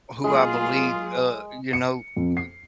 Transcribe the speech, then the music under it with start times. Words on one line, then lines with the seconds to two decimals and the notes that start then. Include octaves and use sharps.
who I believe, uh you know, b
0.24 F#3 G#3 A#3 F4 G#4
1.73 C#7
2.17 F2
2.37 C7